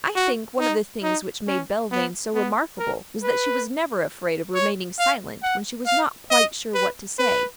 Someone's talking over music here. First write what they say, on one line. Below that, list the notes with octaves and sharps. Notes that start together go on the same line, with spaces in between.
I think one of the things which made Belvane so remarkable was that she was never afraid of remaining silent when she was not quite sure what to say.
F#4
D#4
D#4
C#4
B3
B3
A#4
B4
C#5
F5
F#5
F5
D#5
B4
B4